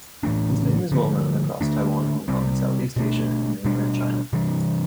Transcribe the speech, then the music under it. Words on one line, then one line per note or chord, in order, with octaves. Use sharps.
His name is well known across Taiwan, Hong Kong, Southeast Asia and mainland China.
A2 E3 A3 D4
D3 F3 A3
D3 A3 D4
C3 G3 C4
B2 A3 D4
B2 G3 D4
C3 E3 G3 D4